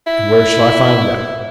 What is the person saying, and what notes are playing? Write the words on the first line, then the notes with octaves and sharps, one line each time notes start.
"And where shall I find them?"
E4